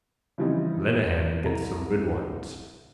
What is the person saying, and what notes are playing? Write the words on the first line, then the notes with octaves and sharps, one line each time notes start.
Lenehan gets some good ones.
C#3 E3 F3 G3 C4 D#4
C2 A#5